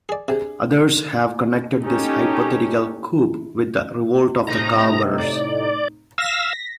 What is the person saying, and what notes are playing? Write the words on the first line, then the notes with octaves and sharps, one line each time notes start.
Others have connected this hypothetical coup with the revolt of the Kabars.
G#4 D5
C3 D4 G#4
C#4 D#4 G4 A4
A2 C3 D#4 A#5
D5
F5 E6 A#6 B6